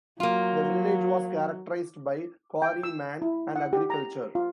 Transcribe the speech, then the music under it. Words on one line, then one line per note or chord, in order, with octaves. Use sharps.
The village was characterized by quarryman and agriculture.
F#3 A#3 F4
G5
E6
E4
F#5
G4
A#5
F4